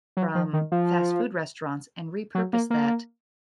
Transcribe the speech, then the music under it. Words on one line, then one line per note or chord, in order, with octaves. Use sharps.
from fast food restaurants and repurpose that
F#3
F3
D#3
F3
F#3
A#3
A#3